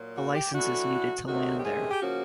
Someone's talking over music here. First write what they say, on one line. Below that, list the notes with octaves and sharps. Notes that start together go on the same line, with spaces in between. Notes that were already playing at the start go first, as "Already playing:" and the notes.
A licence is needed to land there.
Already playing: A#2 F#3 A#3
F#4
G4
A2 E3 A3 D4 F#4
D2 C3 D#3 F#3 F#4
G4
G#4
G4
C#3 F3 A#3 C#4 F#4